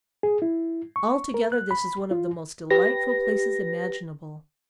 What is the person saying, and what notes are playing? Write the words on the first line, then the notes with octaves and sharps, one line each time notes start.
Altogether this is one of the most delightful places imaginable.
G#4
E4
C#6
A#4
F#6
B5
F4
G4 B4 A#6